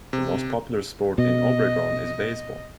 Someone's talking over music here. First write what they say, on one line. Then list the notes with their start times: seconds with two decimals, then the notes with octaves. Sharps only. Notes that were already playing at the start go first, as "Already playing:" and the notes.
The most popular sport in Obregon is baseball.
0.13 C3
1.18 B2 D#5